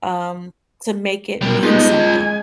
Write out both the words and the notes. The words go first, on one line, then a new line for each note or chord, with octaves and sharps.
um, to make it mean something.
B2 G3 A#4
G3 G#3 B3 D#4 F4 D#5
G#5